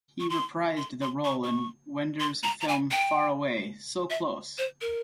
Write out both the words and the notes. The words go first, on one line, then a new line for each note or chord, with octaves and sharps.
He reprised the role in Wenders' film Faraway, So Close!
C#6
C6
C6
C6
C#6
C#6
C6
A#5
A#5
G#5
G5
E5
C5
A#4